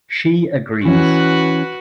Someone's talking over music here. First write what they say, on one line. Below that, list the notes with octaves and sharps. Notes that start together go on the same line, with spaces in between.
She agrees.
E3 C#4 F#4 B4